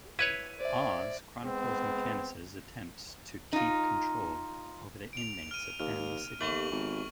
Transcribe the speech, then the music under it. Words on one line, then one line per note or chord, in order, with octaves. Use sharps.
"Oz" chronicles McManus' attempts to keep control over the inmates of Em City.
E4 B4 C#5 G#6 D#7
C5 D5 E5
G#3 B3 C4
D#4 F4
D7 F7
F6 D#7
D#2 F6
D#2 B3 G4 A4 C#6 F#7
G#1